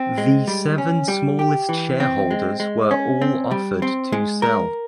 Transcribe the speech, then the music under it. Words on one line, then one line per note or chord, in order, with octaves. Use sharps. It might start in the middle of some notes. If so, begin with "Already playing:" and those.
The seven smallest shareholders were all offered to sell.
Already playing: C4
G#3
G3
C#4
G3
G4
E3
C4
G#3
G#3
C#4
C4
G3
C4
G#3
A#4